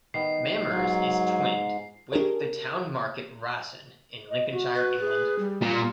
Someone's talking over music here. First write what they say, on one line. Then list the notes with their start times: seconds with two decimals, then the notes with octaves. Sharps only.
Mamers is twinned with the town Market Rasen in Lincolnshire, England.
0.14 D#3 B3 C7
0.71 G#2 F#3 F4
2.12 D4 G4 G#4 A#4 C#5
4.30 D#5
4.52 F#4
4.75 B4
5.00 G#4
5.39 G3
5.62 A#2 G3 F4